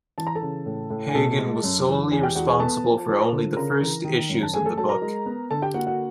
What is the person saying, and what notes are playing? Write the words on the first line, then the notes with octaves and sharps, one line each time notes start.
Hegen was solely responsible for only the first issues of the book.
E3 A5
A#5
A4 A5
C#3
A2
A2
G#5
B2 A4 A5
G#3
F#2
E3
E2 G#4 G#5
G4 G5
E2 F#4 F#5
G#4 G#5
B3 A4 A5
F3
F3
D3
C#3 A#4 A#5
E3
D#3
F#2
A5
A3 G#4 G#5
A4 A5
F#3 A4 A5
A#4 A#5
G#3
B3
D3 A4 A5
G4 G5
A#3 F#4 F#5
F#4 F#5